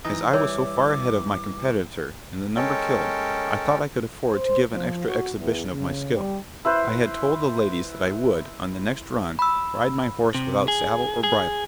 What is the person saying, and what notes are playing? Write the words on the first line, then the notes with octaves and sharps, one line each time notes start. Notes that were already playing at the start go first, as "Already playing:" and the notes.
As I was so far ahead of my competitor in the number killed, I thought I could afford to give an extra exhibition of my skill. I had told the ladies that I would, on the next run, ride my horse without saddle or bridle.
E3 D#4 D#5
E3 G3 C#5 D6
G#3 C#4 A4 A#4 C#5 G5
C5
F3
F#4
E2
C#3
G3
E4 B4 C5
B5 E6
C3
G#4
G#4